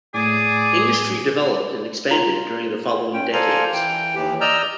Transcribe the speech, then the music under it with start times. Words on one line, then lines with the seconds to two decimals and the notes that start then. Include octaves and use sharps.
Industry developed and expanded during the following decades.
0.14 A2 A3 G#4 D5 G#5 D6
2.11 F4 A#5 F7
3.13 C#4 G5
3.33 A4 C5 D5 F5 G#5 A#5
3.73 E3 G5
4.15 D#2 E3 G4
4.41 D5 D#5 A#5 E6 F6 G6